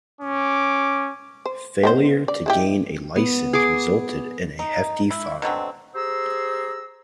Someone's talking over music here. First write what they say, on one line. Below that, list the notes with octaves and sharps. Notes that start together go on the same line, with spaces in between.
Failure to gain a licence resulted in a hefty fine.
C#4 D6
C5
D#3 B3 C5
D5
G#3 E4 G4
B3
G#4 D6
D#4
E4
B2 D3 F#3 C4
G4 G#4 C5 A#5 E6